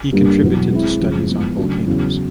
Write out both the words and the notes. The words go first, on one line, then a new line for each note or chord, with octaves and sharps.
He contributed to studies on volcanoes.
G2 D3 G3 A#3
E2 B2 F#3
G#3 C4 E4
F#2 C#3 F3 G#3
A2 F3 G#3 B3
C#3 F#3 A3 D4 F#4
E2 C#3 F#3 B3